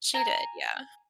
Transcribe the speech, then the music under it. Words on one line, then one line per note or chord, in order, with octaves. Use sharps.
She did, yeah.
G#5 A#5